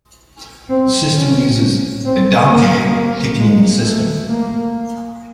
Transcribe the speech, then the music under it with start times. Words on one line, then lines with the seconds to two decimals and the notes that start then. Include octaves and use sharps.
The system uses the "Andante" ticketing system.
0.69 C4
1.15 C#4
2.05 C4
2.50 A#3
2.95 A#3
3.39 G#3
3.84 A3
4.28 A#3